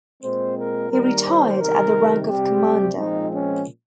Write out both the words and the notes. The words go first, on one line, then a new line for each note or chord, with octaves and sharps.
He retired at the rank of Commander.
A#2 G#3 C4 C5
A#4
D#3 G3 A#3 A#4
C5
C3 D#3 G3 A#4
C3 G3 C4 G4
A#2 F3 G#3 C4 D#4
C#4